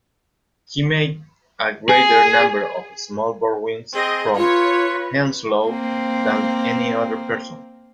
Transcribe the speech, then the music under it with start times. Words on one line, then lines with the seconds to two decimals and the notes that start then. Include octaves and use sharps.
He made a greater number of small borrowings from Henslowe than any other person.
1.89 G#4
3.94 C4 G#4 D#5
4.37 F4 B4 C#5
5.64 A#3 C4